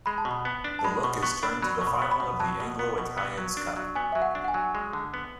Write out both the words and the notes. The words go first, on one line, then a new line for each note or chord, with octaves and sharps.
The look is turned to the final of the Anglo-Italian's Cup.
G#3 B5
A5
B2
B5
B3
D4
A5
G#3 B5
B2 C#6
B3 C#6
D4 B5
F#3 B5
C#6
B2
B5
B3 C#6
B5
B2
F#3 A5
B2
B3
B2
B3
F#3
D4
F#3
B3 G#5
F#3 E5
F#5
D4
F#5
G#5
F#3
G#3
D3
B3